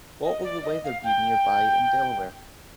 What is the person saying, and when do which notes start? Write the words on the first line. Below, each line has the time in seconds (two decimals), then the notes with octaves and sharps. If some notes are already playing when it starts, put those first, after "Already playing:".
What will the weather be nearby in Delaware?
0.23 D#5
0.43 D5
0.63 D#5
0.84 F5
1.04 G5